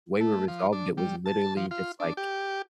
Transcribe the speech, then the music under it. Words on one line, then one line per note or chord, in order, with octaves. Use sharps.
the way we resolved it was literally just, like,
A3
F3
D4
G3
A5
F3
F4
D4
G4